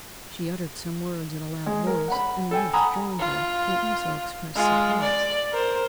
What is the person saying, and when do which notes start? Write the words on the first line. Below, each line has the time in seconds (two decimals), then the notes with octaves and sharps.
She uttered some words in a loud voice, and the youth joined her, who also expressed surprise.
1.66 G#3
1.87 A#4
2.08 F#5 B5
2.51 A4 G5 G#5
2.73 F#5 G#5 A#5 B5 D#6
3.19 F4
4.55 G#3 F4
5.00 D5
5.52 A#4 C5